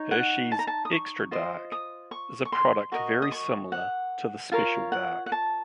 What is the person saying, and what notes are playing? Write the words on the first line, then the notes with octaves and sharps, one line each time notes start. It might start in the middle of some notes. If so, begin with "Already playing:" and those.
Hershey's Extra Dark is a product very similar to the Special Dark.
Already playing: D#4 C#5
F#5
A5
A#5
A5
D#6
C#6
F4 C5 D#5
D#6
C#6
C#6
C6
F#4 A#4 D#5 C#6
D#6
C#6
F#5
F4 A#4 C#5 F5
F#5
F#5
A5